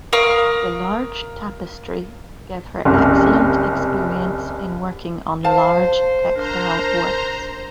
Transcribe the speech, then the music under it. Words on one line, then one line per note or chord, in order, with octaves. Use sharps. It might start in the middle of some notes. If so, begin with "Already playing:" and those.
The large tapestry gave her excellent experience in working on large textile works.
A#4 F5 C#6 D#6
F#1 C2
C5 F5 A5
D4 A#4 C5 A#5